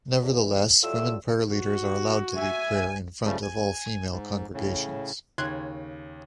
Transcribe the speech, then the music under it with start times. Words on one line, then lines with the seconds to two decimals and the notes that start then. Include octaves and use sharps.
Nevertheless, women prayer leaders are allowed to lead prayer in front of all-female congregations.
0.23 E2
0.83 A2 G3 A3 F4 E5 E6
1.51 F#4
2.37 E5 G#5
3.25 C#3 F3 G3 A3
3.42 G#5
4.11 G#2
4.54 A2 C#3
5.38 D#2 C#3 C6 F#6 G#6